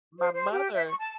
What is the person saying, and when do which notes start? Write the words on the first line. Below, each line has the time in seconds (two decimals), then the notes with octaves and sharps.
My mother,
0.19 C5
0.34 C5
0.52 G4
0.74 E5
0.87 C#6
0.99 A5